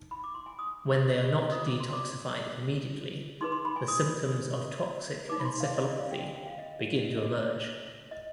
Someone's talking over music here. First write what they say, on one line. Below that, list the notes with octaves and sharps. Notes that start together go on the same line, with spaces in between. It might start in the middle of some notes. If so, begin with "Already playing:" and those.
When they are not detoxified immediately, the symptoms of toxic encephalopathy begin to emerge.
Already playing: D#4
B5
D6
C6
G#5
D#6
F4 B4 D#6
D6
C6
D6
D#4 G#4 B4 C6
C6
B5
G#5
D#6
D#4 B4 D6
B5
C6
F5
D#5
D5
F5
G5
G#5
G5
F5
D#5
D4 G#4 B4 D#5
D#5